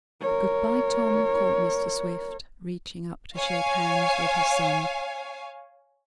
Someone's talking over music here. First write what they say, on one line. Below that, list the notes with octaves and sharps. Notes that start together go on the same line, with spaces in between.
"Good-by, Tom," called Mr. Swift, reaching up to shake hands with his son.
A#4 C#5
C#5 F5 G#5